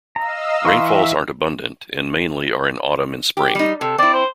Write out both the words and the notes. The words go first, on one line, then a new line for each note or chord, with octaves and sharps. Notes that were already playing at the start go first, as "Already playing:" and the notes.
Rainfalls aren't abundant and mainly are in autumn and spring.
D#5 F5 A#5 E6
E3 E5 F5 A#5 C6 C#6
G4
G3 D#4
C3 A4
C4 E4 D5
C5